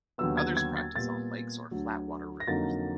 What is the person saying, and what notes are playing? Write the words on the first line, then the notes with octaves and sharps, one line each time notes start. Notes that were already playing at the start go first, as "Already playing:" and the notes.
Others practice on lakes or flatwater rivers.
D#2 D3 F#3 B3 E6
G#6
G#6
A6
A#2 G3 B3 A6
D2 D3 F#3 A3
A#6
F2 D3 F#3 A#3 D#4 A6